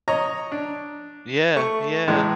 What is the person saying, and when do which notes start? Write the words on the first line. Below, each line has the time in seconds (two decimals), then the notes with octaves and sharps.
Yeah, yeah.
0.08 C#5 D#5 A#5
0.52 D4
1.56 A3 C#6
2.08 A1 A2 E3 G#3